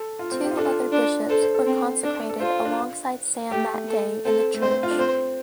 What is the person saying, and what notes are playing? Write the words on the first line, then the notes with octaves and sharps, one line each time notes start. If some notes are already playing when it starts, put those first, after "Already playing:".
Two other Bishops were consecrated alongside Sam that day in the church.
Already playing: A4
F4
C4
G4
F4
D4 A4
F4
D4
A4 C5
C5
A4
C4
D4
A4
F4 C5
D4
A3 G4
A4
C4 A4
A3
C4 C5
F4
D4
C4 C5